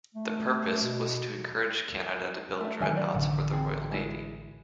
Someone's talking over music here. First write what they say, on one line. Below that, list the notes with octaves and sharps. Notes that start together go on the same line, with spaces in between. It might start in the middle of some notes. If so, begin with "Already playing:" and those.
The purpose was to encourage Canada to build Dreadnoughts for the Royal Navy.
A3
B2
A3 E5
D#3 F#3 A4 E5 G#5
D5 A#5
A1 D3 F#5
C4 G#4
G#3 E4